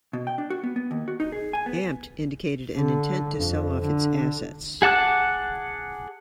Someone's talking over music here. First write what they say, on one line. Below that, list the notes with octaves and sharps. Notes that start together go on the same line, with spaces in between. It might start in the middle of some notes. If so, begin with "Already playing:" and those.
Amp'd indicated an intent to sell off its assets.
B2
G5
D4
F#4
B3
B3
D#2
F#4
D#4
G#4
G#5
B3
D3
F2
D3
G#4 F#5 A5 D6 F#6